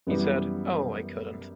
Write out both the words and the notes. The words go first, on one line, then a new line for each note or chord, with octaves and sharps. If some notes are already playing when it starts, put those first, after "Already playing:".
He said, "Oh, I couldn't".
F#2 E3 G3 B3